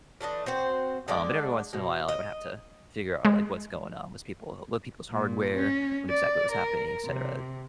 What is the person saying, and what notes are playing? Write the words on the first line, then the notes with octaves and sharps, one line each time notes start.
Um, but every once in a while, I would have to figure out, like, what's going on was people load people's hardware, what exactly was happening, etcetera,
E3 A3 D4 D#5
C4 F#4 C5
D3 G#3 D4 D5
B2
D#5
G#3
A#2
C#4
D5
A#4
C3